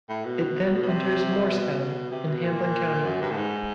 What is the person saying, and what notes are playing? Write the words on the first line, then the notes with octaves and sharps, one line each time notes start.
It then enters Morristown in Hamblen County.
A2
B2
B2
C3
B2
C3
B2
A#2
F#2
G2
A2
G#2